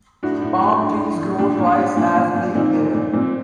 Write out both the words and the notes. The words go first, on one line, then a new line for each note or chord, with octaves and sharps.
Palm trees grow twice as big there.
A2 D4 F#4
A2
A2
A2 D4
A2
A2
A#2 D4
A#2
A#2
A#2 D4
A#2
A#2
A#2 C4 D#4
A#2
A#2
A#2 C4